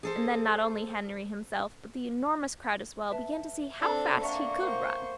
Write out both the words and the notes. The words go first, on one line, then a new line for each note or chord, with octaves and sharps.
And then not only Henry himself, but the enormous crowd as well, began to see how fast he could run.
G#4 A4 C5
B4 E5 A5
C4 D4 A4
A#3 D4 E5 F#5 A#5 C#6
A#4 C5 F#5